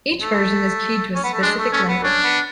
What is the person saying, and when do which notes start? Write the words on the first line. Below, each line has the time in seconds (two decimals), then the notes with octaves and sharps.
Each version is keyed to a specific language.
0.21 A3
1.14 C#4
1.23 B3
1.33 A3
1.42 G#3 D4
1.58 A3
1.73 A3 C#4
1.88 B3
2.03 C#4 D4
2.24 B3